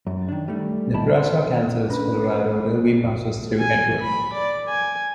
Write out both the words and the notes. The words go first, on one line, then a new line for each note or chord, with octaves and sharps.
Nebraska Kansas Colorado Railway passes through Atwood.
F#2
D#3 D4
G3 A3
D#3 G3 E4 A5 B5
A4 C6
C#4 D4 B4
G#5
B5
D5
G#5